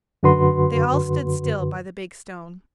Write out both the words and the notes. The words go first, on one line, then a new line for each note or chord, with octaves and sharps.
They all stood still by the big stone.
F#2 D3 F#4 B4 C6